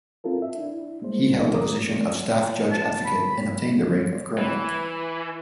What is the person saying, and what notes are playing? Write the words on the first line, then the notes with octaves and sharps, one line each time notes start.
He held the position of Staff Judge Advocate and obtained the rank of Colonel.
C4 E4 F4 A4 A#4
E5
D4 E4
G3 G#3 A#3 C5
C#2 D#3 B3 D#4 A4
A#4 A#5 D6 D#6
A5
B5
E3